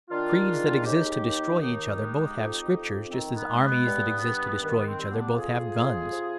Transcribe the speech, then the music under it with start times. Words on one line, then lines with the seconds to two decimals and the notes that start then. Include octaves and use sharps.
Creeds that exist to destroy each other both have scriptures, just as armies that exist to destroy each other both have guns.
0.10 D#3 D4 F4
0.48 G#3
0.85 D#2 D#4 G4
1.23 D#2
1.60 D#3 D#4 G4
1.98 G#3
2.35 F2
2.73 F2
3.11 D#3 C4
3.36 B3
3.49 G#3
3.61 B3
3.86 G2
4.23 G2
4.61 D#3 B3
4.86 C4
4.99 G3
5.11 B3 D4
5.36 F2 F4 G#4
5.74 F2
6.11 C3